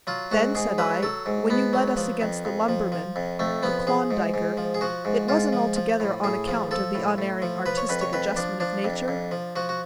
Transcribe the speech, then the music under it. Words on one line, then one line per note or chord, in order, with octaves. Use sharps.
"Then," said I, "when you led us against the lumberman--the--Klondiker --it wasn't altogether on account of the Unerring Artistic Adjustment of Nature?"
F#3 F4
G#2 F#4
G#2 G#4
F#3 B4
F#3 A4
G#2
G#2 B3
F#3
F3
F2
F2
F3
F3
F2
F2 A3
F3 B3
F3 G#4
G#2
G#2
F3
G#4
F3 F#4
G#2
G#2 F4
F3
F3
A2
A2 G#4
F3
F3 A4
A2
A2
F3
F3 B4
C#5
F2 B4
C#5
F2 B4
F3 D4
F3 D4
F2
F2
F3
F3 F#4
F#4